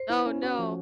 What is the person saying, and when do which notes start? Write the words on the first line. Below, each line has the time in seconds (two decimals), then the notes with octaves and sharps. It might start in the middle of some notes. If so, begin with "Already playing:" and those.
Oh, no.
Already playing: C5
0.10 E4
0.26 C#4
0.43 F#4
0.59 F3